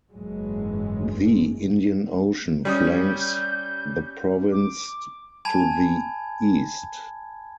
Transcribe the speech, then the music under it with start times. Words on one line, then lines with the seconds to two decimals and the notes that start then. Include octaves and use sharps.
The Indian Ocean flanks the province to the east.
0.11 F#1 G#2 E3 F#3 G#3
2.65 G3 C#4 D#6 G6
4.52 D6
5.45 G#5 A5 B5 G#6